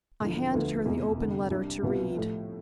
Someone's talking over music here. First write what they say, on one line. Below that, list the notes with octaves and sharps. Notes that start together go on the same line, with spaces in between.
I handed her the open letter to read.
E1 E2 D3 F3
D2 D3 F3 B3
F1 E2 B2
F1 E2 D3
C2 C3 G3 D4
C2 B2 B3 F4
A2 F3 A3